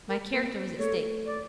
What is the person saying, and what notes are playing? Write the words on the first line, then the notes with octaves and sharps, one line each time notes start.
My character was at stake.
A#4
A#3 B4
C5
A3 C#5
D5